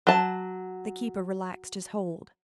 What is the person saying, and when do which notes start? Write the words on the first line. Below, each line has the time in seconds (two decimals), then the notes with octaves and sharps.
The keeper relaxed his hold.
0.07 F#3 A5